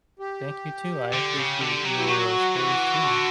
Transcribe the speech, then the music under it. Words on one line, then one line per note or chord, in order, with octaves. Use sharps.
Thank you too. I appreciate your, uh, stories too.
G4
D3
C#3
D3
F#3
E4
F#3 F#4
E3
D3